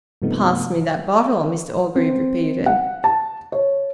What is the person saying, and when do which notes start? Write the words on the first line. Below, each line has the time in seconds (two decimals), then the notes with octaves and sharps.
"Pass me that bottle," Mr Orgreave repeated.
0.22 G2 C3 F3 A3 B3 D#4
1.96 C4
2.66 F#5
3.04 A5
3.52 C#5